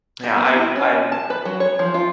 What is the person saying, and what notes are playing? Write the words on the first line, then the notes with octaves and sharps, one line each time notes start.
Yeah, I r I
G4
B3
E4
C#4
A5
B4
F#3
C#5
F3
F4